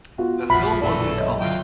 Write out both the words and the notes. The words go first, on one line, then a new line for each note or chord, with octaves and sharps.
The film was in colour.
B3 F4 F#4
F1 A#1 F3 E5 F#5 B5
A#1 F#2 B2 E3 A3 A4 D5
C#5 D#5 E5
D3 F#3 F4 G5